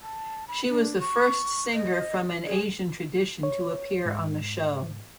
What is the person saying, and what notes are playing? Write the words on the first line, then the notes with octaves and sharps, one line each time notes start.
She was the first singer from an Asian tradition to appear on the show.
A5
B5
D4
C#6
D#5
G#4
C#5
G#2